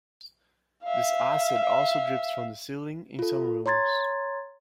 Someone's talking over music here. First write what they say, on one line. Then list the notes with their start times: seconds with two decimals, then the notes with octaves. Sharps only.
This acid also drips from the ceiling in some rooms.
0.84 E5 F5
3.19 F4 A4
3.66 C#5 A#5 C6 G#6 A6